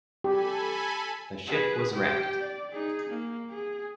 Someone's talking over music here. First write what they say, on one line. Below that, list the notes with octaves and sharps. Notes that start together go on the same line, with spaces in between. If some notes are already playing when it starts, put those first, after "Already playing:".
The ship was wrecked.
G4 A4 G#5 B5
G#4 B4
G4 G5
D5
D#4 G#4
A#3
G#4